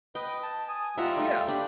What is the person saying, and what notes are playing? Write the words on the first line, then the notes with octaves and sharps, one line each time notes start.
Oh, yeah.
B4 D#5 G5
A5
G#5 D#6
G3 D#4 F4 E5 F#5 A#5 E6
A3 F4
D4 G4 B5